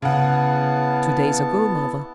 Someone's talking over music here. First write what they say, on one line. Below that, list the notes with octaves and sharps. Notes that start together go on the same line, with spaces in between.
"Two days ago, mother."
C#3 B3 E4 F#5 A5